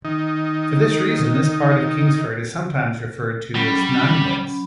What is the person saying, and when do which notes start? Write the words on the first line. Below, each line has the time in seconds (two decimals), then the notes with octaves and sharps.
For this reason, this part of Kingsford is sometimes referred to as "nine-ways".
0.05 D#3 D#4
3.55 F#3 G3 C#4 B5